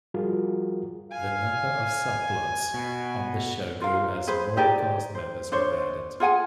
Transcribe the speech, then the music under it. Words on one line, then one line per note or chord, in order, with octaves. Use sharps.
The number of subplots on the show grew as more cast members were added.
F3 G3 F4 F#4 G#4 A#4
F5 G#5
B2 F#4
F4 A#4 F5
G#4 B4 C5
D#4 G4 G#4 D5
C5
D4 C5 C#5
F4 G#4 F#5 G#5